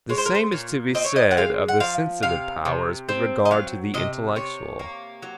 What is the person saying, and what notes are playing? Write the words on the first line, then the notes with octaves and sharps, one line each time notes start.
The same is to be said of the sensitive powers with regard to the intellectual.
G#3 C#5
C5
A#4
C5
A#2 C#5
C4 D#5
C#5
D#5
F#5
G#3 F5
F#5
F3 F5
C3 F5
C3
C4
D#5
F#3 F5
C3 D#5
C3 C#5
A#3
F#3